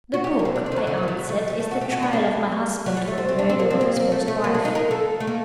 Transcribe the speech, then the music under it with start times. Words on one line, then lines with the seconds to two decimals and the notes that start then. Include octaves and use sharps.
"The book," I answered, "is the Trial of my husband for the murder of his first wife."
0.14 F#4
0.24 G4
0.39 A#3
0.45 C4
0.56 D4
0.66 C4
0.72 D#3
0.76 F#3
0.87 D3
0.98 D#3
1.03 G3
1.08 F#3
1.19 G3
1.29 A3
1.50 G3
1.60 A3
1.71 F#4
1.81 G4
1.92 F#4
2.02 D4
2.13 G3
2.86 F#3
2.97 G3
3.08 A3
3.18 C4
3.29 C4
3.39 D4
3.50 C4
3.60 A#3
3.71 C4
3.81 A#3
3.96 A#3
4.12 A3
4.28 A3
4.44 A#3
4.54 D4
4.65 D#4
4.75 A#4
4.91 A4
5.20 A3
5.27 A#3